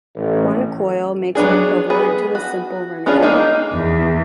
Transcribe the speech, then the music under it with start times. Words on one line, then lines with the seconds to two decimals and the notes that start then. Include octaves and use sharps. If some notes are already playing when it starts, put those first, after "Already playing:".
One coil makes it equivalent to the simple running knot.
0.16 A1
1.35 F#3 B3 D4 G#4
1.90 B3 G#4 B4
2.35 F#4
3.06 B3 C#4 D4 F4 G#4
3.23 G#3 A#3 D#4
3.73 E2